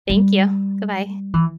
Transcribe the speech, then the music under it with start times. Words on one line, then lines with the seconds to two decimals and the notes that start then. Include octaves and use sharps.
Thank you. Goodbye.
0.10 G3
1.34 E3